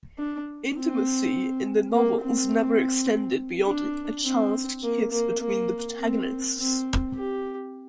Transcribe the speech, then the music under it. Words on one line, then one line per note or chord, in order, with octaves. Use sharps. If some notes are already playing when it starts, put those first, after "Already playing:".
Intimacy in the novels never extended beyond a chaste kiss between the protagonists.
D4
C4
A#3
C4
D4
C4
A#3
A#3
A#3
C4
C4
G4